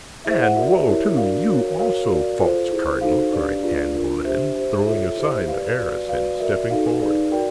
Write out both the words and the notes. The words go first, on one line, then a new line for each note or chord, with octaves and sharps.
"And woe to you also, false cardinal," cried Anne Boleyn, throwing aside the arras, and stepping forward.
E4 G#4 C5 E5
F#5
F#4 A#4 D5 E5
E4 G4 A#4 C#5
D4 F#4 A#4 D5 F5
F#4 A#4 C#5
F#4 A#4 C#5 F5
F#4 A#4 D5
F4 A4 C5
E4 G#4 C5
D#4 F#4 A4 C5 F5
D4 G4 B4 D5
D4 F4 G#4 B4 D5
D4 F4 A#4
D4 G4 C5 E5
G4 C5
F4 A4 C#5 E5
E4 G4 C5
G4 B4 D5 F5
F#4 B4 D5
F#4 B4 D5 F5
F#4 A#4 D5 E5
D#4 F#4 A4 F5
D#4 G#4 B4 D5
F#4 A#4 D5 G5